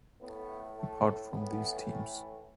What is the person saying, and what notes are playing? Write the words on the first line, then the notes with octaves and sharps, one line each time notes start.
Apart from these teams.
A2 A3 B3
A3
A2 E3 A3 B3
E4